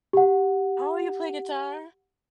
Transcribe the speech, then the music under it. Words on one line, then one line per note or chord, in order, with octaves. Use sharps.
Oh, you play guitar?
G4 F#5